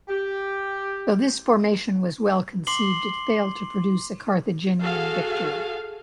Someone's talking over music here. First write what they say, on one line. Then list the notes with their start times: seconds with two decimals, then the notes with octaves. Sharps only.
Though this formation was well-conceived, it failed to produce a Carthaginian victory.
0.08 G4
2.67 C6 D6 C7 F#7 G7
4.82 F#4 G#4 A4 F5